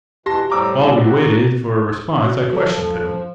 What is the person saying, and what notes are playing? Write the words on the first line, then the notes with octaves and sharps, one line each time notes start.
While we waited for a response I questioned him.
B2 E3 G4 A5 C6 A#6
A2 G3 C4 A#5 D6 E6
F3 F#4
F#4
F3 A4